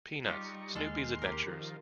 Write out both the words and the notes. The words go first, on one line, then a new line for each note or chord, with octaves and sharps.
Peanuts: Snoopy's Adventures.
G3 D#4 F4 G4 C#6
D#2 G#3 A4 C6 F6
G4 A#4
D#3 F3